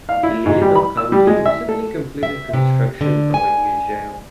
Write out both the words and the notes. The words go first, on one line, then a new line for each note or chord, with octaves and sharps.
Leelenau County recently completed construction of a new jail.
F5
E4
G#2
G3
B5
E6
G3
G#3
E5
A4
E5
C3
D3
G#5